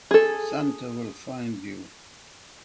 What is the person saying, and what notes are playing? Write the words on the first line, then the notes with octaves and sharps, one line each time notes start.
Santa Will Find You!
G#4 A4